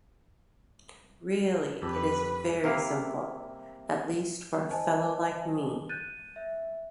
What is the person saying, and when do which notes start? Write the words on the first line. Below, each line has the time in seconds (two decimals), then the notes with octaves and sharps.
Really it is very simple; at least for a fellow like me.
1.82 F2 G4 A4 B4
2.64 C3 A#3 E4 F5
4.71 C5 D#5 G#5 A5
5.89 F#6 G6 A6 D#7
6.36 E5